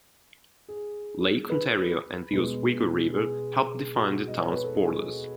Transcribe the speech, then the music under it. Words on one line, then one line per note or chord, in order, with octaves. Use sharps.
Lake Ontario and the Oswego River help define the town's borders.
G#4
B4
B2 G#3 B3
G#4
F#4
D#5
C#5
B4
A4
G#4